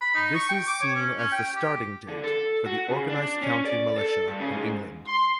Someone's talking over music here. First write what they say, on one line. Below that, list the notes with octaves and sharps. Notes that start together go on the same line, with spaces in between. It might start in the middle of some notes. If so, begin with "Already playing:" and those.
This is seen as the starting date for the organised county militia in England.
B5
D#4
C#6
G5
D6
C#5
C#4
C#4
G5
G4
D3
A4
F#4
C#3
D4
C#4
D5
A4
G2
C#3
G#2
C6